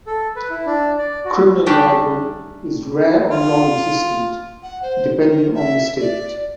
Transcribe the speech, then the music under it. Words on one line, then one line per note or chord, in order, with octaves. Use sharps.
Criminal libel is rare or nonexistent, depending on the state.
A4
B4
E4
D4
D5
F#4
G3 A3 D4 D#4 G4 G#4
F4
F#5
C5
A#4
E5
D5